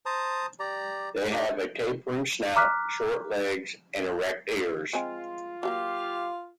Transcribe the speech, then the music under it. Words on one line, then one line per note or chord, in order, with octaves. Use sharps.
They have a tapering snout, short legs, and erect ears.
C5 A5 A#5 D#6
G4 D5 A#5
A3 D4 D#4 G4
A#5 D6 F6 F#6 B6
G#3 C4 F4 G#5
F#3 G#3 A#3 G4 F5